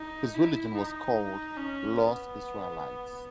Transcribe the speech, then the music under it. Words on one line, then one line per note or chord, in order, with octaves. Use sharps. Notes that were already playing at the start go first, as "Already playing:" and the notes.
His religion was called Lost Israelites.
Already playing: D#4
E4
D#4
C#4
B3